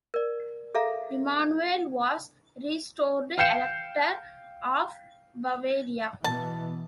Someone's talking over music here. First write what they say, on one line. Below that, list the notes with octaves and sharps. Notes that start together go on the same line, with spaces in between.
Emanuel was restored Elector of Bavaria.
A#4 D5
G#4 A4 E5 F5 A#5
D4
F5 G5 G6 C7 C#7 E7
B2 E3 B3 A5